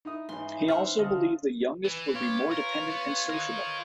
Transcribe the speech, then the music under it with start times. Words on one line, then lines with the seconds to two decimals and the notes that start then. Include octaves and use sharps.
He also believed the youngest would be more dependent and sociable.
0.05 D#4 E4 D#6
0.29 G#2 C#3 E3 D#4 C6
0.68 C5 E5 F#5 F6
0.98 D3 A4 D#5 F5
1.85 E3 B4
2.15 F4 G4 C#5
2.51 A#4
2.90 B3
3.30 A#4 D#5